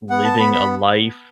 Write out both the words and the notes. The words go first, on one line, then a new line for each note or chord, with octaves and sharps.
living a life
B3 F#5
A5
B3 B5
B5